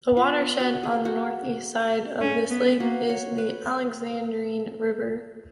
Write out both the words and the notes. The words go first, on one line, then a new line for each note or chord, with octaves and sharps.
The watershed on the northeast side of this lake is the Alexandrine River.
B3 F4
F#4
G#4
F#4
C#4
B3
A#3 F#4
C#5
B4